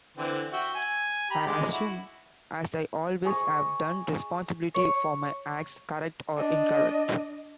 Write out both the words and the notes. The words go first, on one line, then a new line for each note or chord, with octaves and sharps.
I assume, as I always have done, responsibility for my acts, correct or incorrect...
D3 E3 C4
F#4 E5 G5
G#5
G4 A#5 B5
D3 G#3 D5
E4 F#4
G#4 D#5 C#6
C#5
D4 D#5